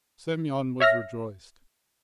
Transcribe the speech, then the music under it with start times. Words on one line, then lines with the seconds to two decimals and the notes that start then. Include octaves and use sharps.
Semyon was rejoiced.
0.80 C#5 E5 F6 A#6